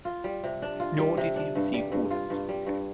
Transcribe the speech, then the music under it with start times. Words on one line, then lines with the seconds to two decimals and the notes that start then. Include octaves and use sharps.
Nor did he receive orders to this end.
0.05 F4
0.24 G3
0.44 C3
0.62 D4
0.80 F4
0.98 G3
1.17 C3
1.36 D4
1.55 G2
1.74 G3
1.92 G2
2.10 F4
2.30 G2
2.49 G3
2.66 G2